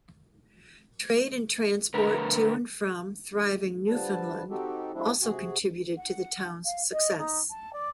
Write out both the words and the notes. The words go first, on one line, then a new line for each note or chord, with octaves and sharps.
Trade and transport to and from thriving Newfoundland also contributed to the town's success.
D3 A3 A#4 B4
D3 F3 G3 B4 A5
C4 D#4 F#4 G4 A4
F3 G#3 C4 D4 E4
C3 F#4 G#4
F#5
F5
D#5
D#4
A5
D5